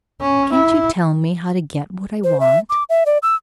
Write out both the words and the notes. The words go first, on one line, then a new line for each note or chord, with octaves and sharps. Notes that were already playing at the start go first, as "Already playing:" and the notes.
"Can't you tell me how to get what I want?"
C#4
E4
C5
E5
D6
E5
D5
E6